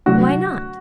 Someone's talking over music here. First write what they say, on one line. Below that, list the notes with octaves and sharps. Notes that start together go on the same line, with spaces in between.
Why not?
C3 F#3 A3 D4 F#4